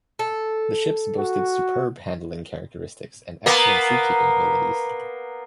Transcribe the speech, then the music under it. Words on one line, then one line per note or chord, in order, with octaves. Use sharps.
The ships boasted superb handling characteristics and excellent sea-keeping abilities.
A4
F#4
A#3 B3